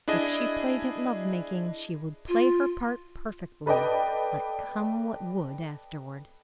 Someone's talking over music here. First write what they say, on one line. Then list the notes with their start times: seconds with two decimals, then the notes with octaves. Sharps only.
If she played at love-making, she would play her part perfectly, let come what would afterward.
0.08 D4 E4 G#4 D#5
2.28 F4
3.66 A4 B4 D5 D#5 G5